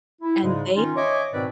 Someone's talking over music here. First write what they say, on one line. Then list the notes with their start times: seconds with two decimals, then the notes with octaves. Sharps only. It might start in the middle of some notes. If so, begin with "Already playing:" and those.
And they,
0.22 E4
0.43 G#2 C#3 G3 G#3
0.75 D#3 C#4 D#4 F4
0.96 C#5 D#5 E5 G#5 D6
1.32 G#2 B2 D#3 C4 B4 D5